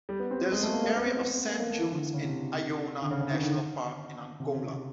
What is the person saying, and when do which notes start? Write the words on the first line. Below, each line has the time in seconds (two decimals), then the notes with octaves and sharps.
There is an area of sand dunes in Iona National Park in Angola.
0.09 G3
0.20 B3
0.31 C4
0.41 B3
0.52 G#3
0.63 A3
0.73 A#3
0.84 A#3
0.96 B3
1.06 C4
1.17 B3
1.28 B3
1.38 B3
1.49 A#3
1.60 A#3
1.71 A3
1.81 E3
1.92 D3
2.14 C#3
2.24 C3
3.02 D3
3.11 C#3
3.21 C#3
3.32 D#3
3.42 D3
4.40 C3
4.54 C#3
4.68 C3